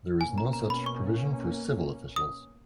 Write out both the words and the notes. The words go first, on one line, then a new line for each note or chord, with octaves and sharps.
There is no such provision for civil officials.
B2 A#3 C#4 G#5
A#5
A#5
B5
C#6
D#6